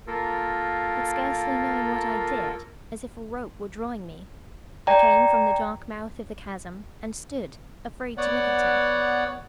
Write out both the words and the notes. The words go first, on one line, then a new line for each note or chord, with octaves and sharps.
But scarcely knowing what I did, as if a rope were drawing me, I came from the dark mouth of the chasm; and stood, afraid to look at her.
A#3 F4 A4 A#4
D5 G5 A#5
B3 C#5 D5 F#5